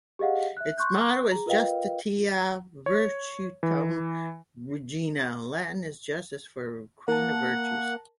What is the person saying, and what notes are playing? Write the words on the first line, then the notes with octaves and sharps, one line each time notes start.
Its motto is "Justitia Virtutum Regina", Latin for "Justice is Queen of Virtues".
G4 G#4 D#5 F5 F#5
E5 F#6
C6 C#6 F#6 G6
G#4 A#5
F4 A#4 B4 D#5 F5 G5
C#5
E3
A#3 A#4 F#5 A5